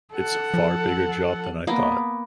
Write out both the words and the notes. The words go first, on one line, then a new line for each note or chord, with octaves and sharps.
It's a far bigger job than I thought.
A4 F#5
F3
A#3 B3